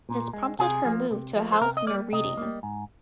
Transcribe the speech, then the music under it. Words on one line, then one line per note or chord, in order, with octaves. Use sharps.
This prompted her move to a house near Reading.
A#2
G#3
C3 G#4
F3 A#3
C3
F3 A#3
C5
C3 A#4
D#5
G3 A#3 D5
C3 D#5
G3 A#3
G#2